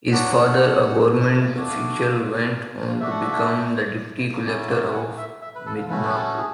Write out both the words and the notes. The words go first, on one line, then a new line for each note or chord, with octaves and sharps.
His father, a government official, went on to become the Deputy Collector of Midnapur.
F#3 B3 D4 F#4 F#5
A3 D4 F#4
A3 D4 F#4 E5
F#5
E5
F#3 C#4 E4 D5
D5
F#5
E5
E5
B4
A4
A3 C#4 F#4 B4
B4
A4
G#4